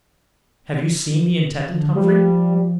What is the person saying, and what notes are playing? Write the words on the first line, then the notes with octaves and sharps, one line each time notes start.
"Have you seen the intendant, Humphrey?"
D3
F3 G3